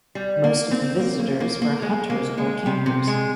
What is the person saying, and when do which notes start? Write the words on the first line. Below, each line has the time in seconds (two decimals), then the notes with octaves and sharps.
Most of the visitors were hunters or campers.
0.15 G3
0.44 A#3
0.71 C4
0.99 A#3
1.19 A#3
1.40 A#3
1.62 A#3
1.82 G#3
2.10 A#3
2.38 G#3
2.66 C3
2.86 C3
3.07 G#3